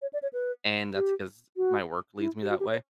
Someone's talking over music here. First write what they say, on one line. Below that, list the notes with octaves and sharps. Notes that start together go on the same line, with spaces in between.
and that's because my work leaves me that way.
C#5
D5
C#5
B4
G4
F#4
E4
G4
F#4
G4
C#5